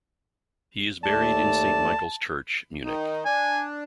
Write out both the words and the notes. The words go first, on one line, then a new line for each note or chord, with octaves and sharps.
He is buried in Saint Michael's Church, Munich.
D#2 A3 D5 A5
D#3 D#4
D4 G#5